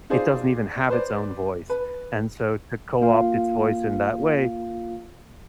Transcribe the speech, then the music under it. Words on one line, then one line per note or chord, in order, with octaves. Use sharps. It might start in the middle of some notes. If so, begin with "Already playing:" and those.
it doesn't even have its own voice, and so to co-opt its voice in that way
D#4 F4 G#4 C5 D5
B4 C5 D5
B4
A#3 F4 F5